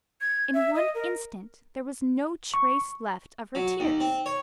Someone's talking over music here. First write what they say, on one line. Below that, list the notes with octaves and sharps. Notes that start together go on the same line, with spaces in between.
In one instant there was no trace left of her tears.
G#6
E5
D#5
A#4
C#6
F#3
D#2
C4
C#5